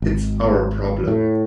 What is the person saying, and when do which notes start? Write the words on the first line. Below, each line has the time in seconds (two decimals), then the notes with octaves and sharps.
It's our problem.
0.02 G#1
1.08 A2